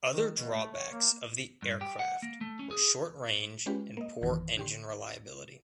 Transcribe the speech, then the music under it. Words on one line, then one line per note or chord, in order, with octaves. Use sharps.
Other drawbacks of the aircraft were short range and poor engine reliability.
D#3
B2
A3
C#5
A#3
G2
G4
F#5
A#3
A3
C#4
G#4
G#3 C#4 F4 G4 B4
A#3 D#5
G#1 F2 D#3 E3
D3 G4 C6